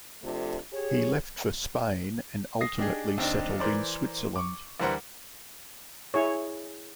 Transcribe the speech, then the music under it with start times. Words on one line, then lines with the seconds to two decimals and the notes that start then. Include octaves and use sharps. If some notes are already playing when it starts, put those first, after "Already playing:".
He left for Spain, and ultimately settled in Switzerland.
0.22 C3 F3 A3 D4 F4 A4
0.73 G4 G#4 C#5
2.61 D#6 A#6 C7
2.79 D4 D#4 G4 G#4
3.18 D#2 C4 D4 D#4
3.60 E3 A#4 C5 D5
4.36 C#6 D6
4.80 D2 E3 G3 A#4 C5 F#5
6.14 E4 G#4 C#5